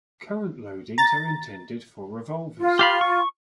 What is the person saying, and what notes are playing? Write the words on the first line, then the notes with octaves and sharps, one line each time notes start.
Current loadings are intended for revolvers.
A#5 A6
F4
G4 F5 B5
C#6